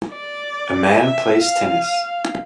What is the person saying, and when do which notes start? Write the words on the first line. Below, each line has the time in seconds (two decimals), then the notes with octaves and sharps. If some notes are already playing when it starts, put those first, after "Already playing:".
A man plays tennis.
0.11 D5
0.98 E5
1.42 F5